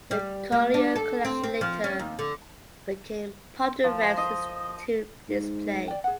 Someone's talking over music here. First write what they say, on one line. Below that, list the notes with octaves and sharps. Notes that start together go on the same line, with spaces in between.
The Collier Collection later became part of the Revs Institute display.
G3
A#3
D4
A4
C4
C4
F3
C#4
D#2
D3
F3
C5
D#5
G#2
D5 G5
G#4 F#5